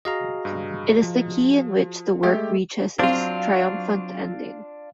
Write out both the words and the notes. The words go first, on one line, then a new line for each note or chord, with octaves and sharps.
It is the key in which the work reaches its triumphant ending.
F#4 G#4 D#5 F5 A#5
G2
F3
G#3 A3 G4 E5 G5
F#3 C4 D4 F4 F5